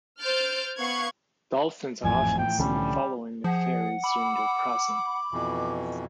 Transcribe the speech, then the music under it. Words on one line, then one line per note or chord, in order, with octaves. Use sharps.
Dolphins are often seen following the ferries during their crossing.
C5 F6 G6 A6 D7
B3 F5 C#6 F#6 G#6
G#1 F2 A2 E3 F3 G#5
G5
C2 D3 G3 C#4
F3 G#4 F#5
B5 D6 E6
F2 B2 E3